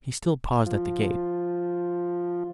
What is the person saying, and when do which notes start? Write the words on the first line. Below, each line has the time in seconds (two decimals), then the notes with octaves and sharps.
He still paused at the gate.
0.66 F3 F4